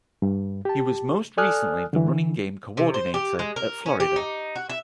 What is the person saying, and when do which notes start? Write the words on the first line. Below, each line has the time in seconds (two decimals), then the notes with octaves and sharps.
He was most recently the running game coordinator at Florida.
0.22 G2
0.65 G4 A5
1.37 A4 D5 G#5 D#6 F6 F#6
1.93 D3 E3
2.77 C3
2.94 C5
3.14 G4
3.39 G#3
3.56 A#4
3.86 C#4
4.00 G4
4.16 D#4
4.55 F#4
4.69 E5